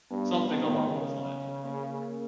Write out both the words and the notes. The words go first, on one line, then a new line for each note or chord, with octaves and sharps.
something along those lines will probably work.
G2 B3
D#3 B3
C#3
A#3